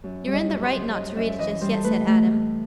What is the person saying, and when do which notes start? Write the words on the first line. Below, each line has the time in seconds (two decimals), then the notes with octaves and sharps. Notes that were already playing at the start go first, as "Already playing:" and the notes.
"You're in the right not to read it just yet," said Adam.
0.04 F#2
0.27 G3
0.34 D#5
0.49 F#2
0.64 C5
0.71 F#2
0.93 F#2 D#5
1.16 F#2 E5
1.39 E3 D#5
1.61 G3 C5
1.74 A4
1.84 A3 B4
2.07 A3
2.29 A2